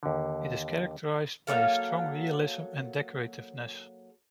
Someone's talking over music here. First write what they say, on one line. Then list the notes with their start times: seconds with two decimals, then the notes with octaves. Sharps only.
It is characterized by a strong realism and decorativeness.
0.03 D#2 D3
1.47 F#3 A#3 A4 F5